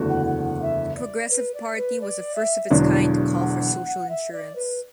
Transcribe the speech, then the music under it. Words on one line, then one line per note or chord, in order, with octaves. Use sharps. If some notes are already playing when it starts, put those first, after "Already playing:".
The Progressive Party was the first of its kind to call for social insurance.
Already playing: F#1 E2 D3 A3 F#4
F#5
F#5
F#5
E5
D5
B4
D5
B4
D5
E5
E1 E2 D3 F#3 D4
F#5
E5
D5
B4